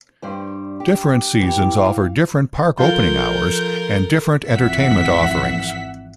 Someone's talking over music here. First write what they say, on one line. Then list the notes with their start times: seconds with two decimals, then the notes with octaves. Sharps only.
Different seasons offer different park opening hours and different entertainment offerings.
0.22 G2 G3 C5
0.80 G4
1.40 E3 G4
1.77 F5
2.79 F3 F4 A4 A#4 F5 C6 G6
4.46 G#1 F2 E3 E5 F#5 B6